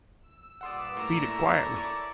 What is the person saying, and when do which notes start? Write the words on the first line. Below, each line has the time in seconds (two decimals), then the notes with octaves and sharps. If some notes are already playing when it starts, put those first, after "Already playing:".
"Beat it quietly."
0.20 E6
0.61 G2 A#2 B4 D5 F#5 C6 D#6 E6
0.97 A2 A#3 E4 A4 A#5 C#6
1.77 D5